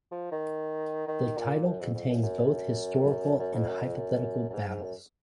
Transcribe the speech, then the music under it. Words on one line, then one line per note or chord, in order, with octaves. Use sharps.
The title contains both historical and hypothetical battles.
F3
D#3
D#3
A#2
F#2
F2
F2
F#2
F#2
F#2
F2
F#2
F2
F#2
F#2
G#2
G#2
F#2